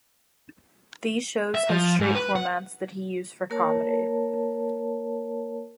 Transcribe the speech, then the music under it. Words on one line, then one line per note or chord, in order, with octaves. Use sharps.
These shows had straight formats that he used for comedy.
E5
F3
G#2
B4
F#5
A#3 A#4 C#5 A5